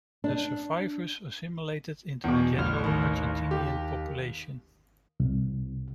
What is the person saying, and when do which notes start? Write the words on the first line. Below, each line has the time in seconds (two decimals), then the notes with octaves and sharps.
The survivors assimilated into the general Argentinian population.
0.24 D4
2.24 E2 B2
2.58 A1 F6
2.84 D#2 D#3
3.51 G4
5.20 C2